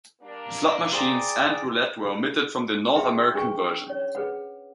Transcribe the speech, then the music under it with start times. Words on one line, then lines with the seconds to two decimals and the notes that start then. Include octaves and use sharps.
Slot machines and roulette were omitted from the North American version.
0.22 G3 A#3 D4
0.92 G#4 C5 D5 G5 A#5 D6
2.95 G#4 B4 E5 G5 C6
3.34 C#4 D4 G#4 B4 G5 C#6
3.86 C#4 C#5
4.15 G#4 B4 F#5